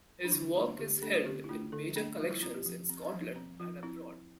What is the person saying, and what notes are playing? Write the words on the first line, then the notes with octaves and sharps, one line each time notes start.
His work is held in major collections in Scotland and abroad.
D4
D3 E4
A3 D4 F4
D3 G4
G4
A3 D4 A4
F4
D3 G4
E4
A3 D4 F4
D3 A4
A3 D4
F3 F4
E4
C4 F4
G4
F3
C4
F3
C4
F3 F4
C4 E4